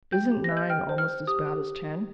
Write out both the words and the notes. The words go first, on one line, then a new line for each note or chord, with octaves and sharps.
Isn't nine almost as bad as ten?
G5 G6
G4
A#6
D#5
G6
G5 F6
C5
F6
C5
G4 D#6
G4